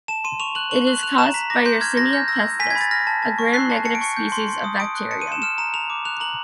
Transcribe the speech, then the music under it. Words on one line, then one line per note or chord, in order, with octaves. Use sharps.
It is caused by "Yersinia pestis", a gram-negative species of bacterium.
A5 E7
C6 D#7
C#6 F7
F#6 F#7
C#6 F#7
F#6 F#7
F#6 F7
A#5 E7
A#5 B6
D6 A#6
C6 G6
F6 G#6
C6 A#6
F6 G6
E6 A#6
G6
G#5 B6
G#6
B5
A6
F6 A#6
A5
A5
C#6
F#6 C7
A5
A5 C#7
D7
C#6 C#7
G6
C6
C6
D#6
D#6 D7
F#6
A5 C#7
D#7
C6 E7
F6 E7
A#5 E7
A#5 F7
D6
F#6 F7
A#5 F#7